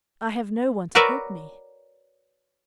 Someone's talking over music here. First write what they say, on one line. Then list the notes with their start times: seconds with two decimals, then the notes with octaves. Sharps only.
"I have no one to help me."
0.95 F#4 A#4 B4 C#5 D5 E5